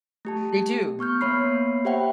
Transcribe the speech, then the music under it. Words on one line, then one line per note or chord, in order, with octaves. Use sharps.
They do.
A3 G4 A5
B3 C#6 F6 G6
A#3 B3 C#5 B5 C7
G4 C5 E5 F#5 G5 B5